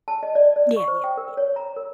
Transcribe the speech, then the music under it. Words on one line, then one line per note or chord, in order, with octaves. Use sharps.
Yeah. Yeah. Yeah.
A5
D#5
D5
D5
C#6
C5
G5
A#4
C#5
A#5
A#4